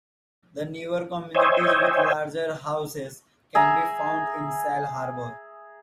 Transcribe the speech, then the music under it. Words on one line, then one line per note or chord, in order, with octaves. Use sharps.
The newer communities with larger houses can be found in Sail Harbor.
C5 C#5 D#5 E5 G5 G#5
G#4 E5 A#5